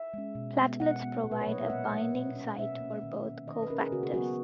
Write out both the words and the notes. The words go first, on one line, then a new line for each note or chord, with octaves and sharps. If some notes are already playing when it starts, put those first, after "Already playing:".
Platelets provide a binding site for both cofactors.
Already playing: E5
G#3 C#4
B2
G#3 B3
B2 F#5
G#3 B3
A#2
B4
C#5
F#3 A#3 D#5
E5
A#2 F#5
F#3 A#3
B2
A#3 C#4
B2 E5
A#3 C#4
D#3
A#3 C#4
D#3 D#5
B4
A#3 C#4 A#4
G#4
C#3 F#4
G#4
F#3 B3 F#4